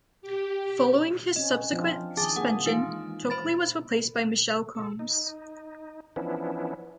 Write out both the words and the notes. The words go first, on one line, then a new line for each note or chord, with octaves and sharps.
Following his subsequent suspension, Tokley was replaced by Michael Coombs.
G4
C4 C#4 D#5
F3 C4 D4 F4
D#3 G#4 A5 D6 A6
A#3 G#4 F#5 D#6
E3 G#3 D#4 F4 F5 D7
C5 B5 A6
A4
D#4
E3 F3 B3 C#4 D4 E4